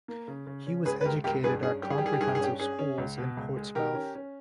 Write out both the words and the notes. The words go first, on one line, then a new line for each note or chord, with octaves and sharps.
He was educated at comprehensive schools in Portsmouth.
A#3
C#3
C#3
C#4
C#2 G#4 B4
B4
C#2 G4 A#4
C#2 G4 A#4
G2 G#4 B4
C#4 G#4
G3 G4
G#4
G4
G3 G#4
G4
G2 G#4
G4
G#4
C#4 G4
C#4 G#4
C#4
C#2
B2
C#2
G#3
D#3 G4 A#4
C#4
C#4